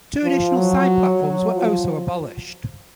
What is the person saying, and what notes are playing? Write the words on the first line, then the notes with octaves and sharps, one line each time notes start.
Two additional side platforms were also abolished.
F3
F#3
F#3
F3